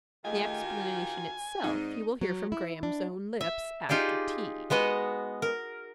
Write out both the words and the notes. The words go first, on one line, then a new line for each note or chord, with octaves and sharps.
The explanation itself you will hear from Graham's own lips--after tea.
D#3 A3 F4 G4 G#4 D#5 G#5
F#4
G#2 C4 D#4 D5
F#3
E4
D4
E5
D#4 F4 G4 G#4 D5
G#3 B3 F#4 D#5
A#4